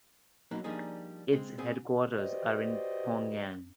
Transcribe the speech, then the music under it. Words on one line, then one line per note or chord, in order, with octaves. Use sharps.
Its headquarters are in Pyongyang.
F#3 A#3 B3 C#4 D#4
F3 G3 A#3 D4 D#4 G#4
G#3 C4
B3 C4 G#4
F#4 G4 B4 C5 D5 D#5